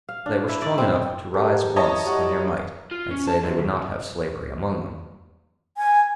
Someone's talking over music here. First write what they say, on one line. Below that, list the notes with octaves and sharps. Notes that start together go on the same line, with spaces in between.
They were strong enough to rise once in their might and say they would not have slavery among them.
F5
D4
E4
D5
C4
G4 A4 A#4
E4 C#5 D#5 E5 A5 A#5
G3 F#5 C#6
F4
C#4
A5
F#2
C2
G#5